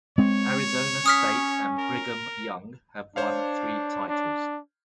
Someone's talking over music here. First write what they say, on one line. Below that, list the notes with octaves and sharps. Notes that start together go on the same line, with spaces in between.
Arizona State and Brigham Young have won three titles.
G#3 C4 C#5
C#4 D#6 F6 B6
A#4
D4 C5 C#5 F5
D4